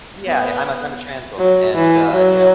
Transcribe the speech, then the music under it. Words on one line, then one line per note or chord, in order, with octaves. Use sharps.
Yeah, I'm a I'm a trans woman. And, uh, you know,
B3
F#3
E3
F#3